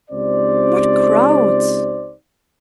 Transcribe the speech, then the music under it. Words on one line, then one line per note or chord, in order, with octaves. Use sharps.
What crowds!
C#2 C4 D#4 G4 C5 D5